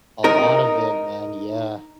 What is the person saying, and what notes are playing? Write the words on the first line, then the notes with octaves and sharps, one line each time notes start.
A lot of it, man, yeah.
D#4 A#4